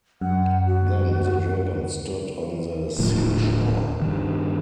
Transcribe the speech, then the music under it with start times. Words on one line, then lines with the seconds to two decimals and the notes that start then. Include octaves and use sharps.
Then the Dragon stood on the seashore.
0.21 F#2 F#5
0.66 F#4
2.98 D#1 D2 A2 F3
4.02 G2 D#3